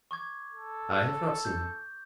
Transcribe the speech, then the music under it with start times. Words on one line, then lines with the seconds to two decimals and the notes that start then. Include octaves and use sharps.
"I have not seen him."
0.11 C#6 D6 G#6
0.53 A4
1.45 G6